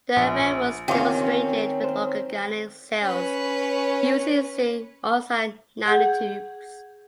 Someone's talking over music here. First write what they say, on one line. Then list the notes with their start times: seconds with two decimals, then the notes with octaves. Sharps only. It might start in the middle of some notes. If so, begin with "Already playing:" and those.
The effect was demonstrated with organic cells using zinc oxide nanotubes.
0.16 A#1
0.88 E2 D#3 C4 C#4 F4 G4 C#5
1.84 C5
3.02 C#4 B4
5.86 G#4 F#5 G6